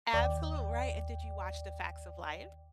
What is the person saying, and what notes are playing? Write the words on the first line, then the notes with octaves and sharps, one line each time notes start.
Absolute right, and did you watch The Facts of Life?
D#2 D5 G5